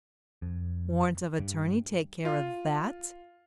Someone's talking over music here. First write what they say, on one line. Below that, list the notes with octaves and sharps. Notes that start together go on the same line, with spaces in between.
Warrant of attorney--take care of that.
F2
G2
F4